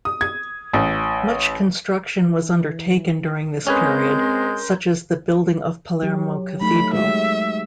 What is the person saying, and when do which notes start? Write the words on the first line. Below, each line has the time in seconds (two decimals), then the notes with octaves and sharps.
Much construction was undertaken during this period, such as the building of Palermo Cathedral.
0.05 D#6
0.21 G#6
0.73 A1
2.20 E3
3.67 G#3 C4 C#4 G#4 A#4 B4 C6 G6
6.03 F#3 G4
6.61 F#3 A3 D#4 B5
6.94 G#3 F#4 G4 E5